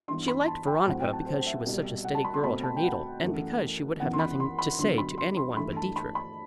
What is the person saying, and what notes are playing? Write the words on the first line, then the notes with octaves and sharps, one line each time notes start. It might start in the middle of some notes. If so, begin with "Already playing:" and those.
She liked Veronica because she was such a steady girl at her needle, and because she would have nothing to say to any one but Dietrich.
G2 E3 B3 C6
B5
A5
G5
A2 F#3 C4 F#5
G5
A5
C5
E5
C2 B2 G3
F#5
A5
B5
C6
B2 A3 C4 B5
A5
G5
F#5
F#2 E3 A3
F#2 E3 B3 F#5
C6
B5
C6
B5
D2 D3 F#3 B3 C6
B5
C6
C6
G2 E3 A3 B5
A5
B5
B5